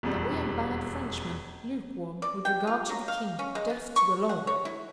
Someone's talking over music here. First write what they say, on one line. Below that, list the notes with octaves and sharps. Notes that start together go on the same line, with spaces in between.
"That we are bad Frenchmen, lukewarm with regard to the king, deaf to the law."
E1 F2 G3
D5
G5
F4
F#3
F5
C#4
G#3
B3
C#6
F#5
C#5
E4